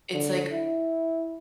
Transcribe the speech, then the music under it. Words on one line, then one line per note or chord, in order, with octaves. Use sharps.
it's like,
D3
E4